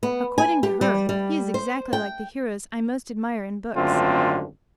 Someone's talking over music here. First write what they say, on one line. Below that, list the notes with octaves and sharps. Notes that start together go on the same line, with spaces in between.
According to her, he is exactly like the heroes I most admire in books.
B3
G#5
G4
G3
G3
C5
G5
G#1 F#2 D3 A3 C4 F4